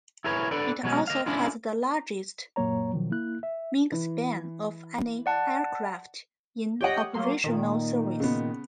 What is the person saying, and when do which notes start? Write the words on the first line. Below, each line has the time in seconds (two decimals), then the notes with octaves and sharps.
It also has the largest wingspan of any aircraft in operational service.
0.24 E4 G#4 A#4 B4 C#5
0.51 D4 A4 B4 D5
0.83 B2 F#3 G#3 C#4
1.07 D#5 F5
1.26 C#4 D4 E4 F4
2.56 F#2 A#2 F#3 A#3 C#5 A#5
2.93 B2 D#3 F3 F#3
3.11 A#3 E4 F#6
3.43 E5
3.92 E3
5.26 D5 F#5 A5
6.81 G4 C#5 D#5 F#5 G5
7.14 F#3 A#3 C6
7.44 A#2 D#3
8.20 C#3 B3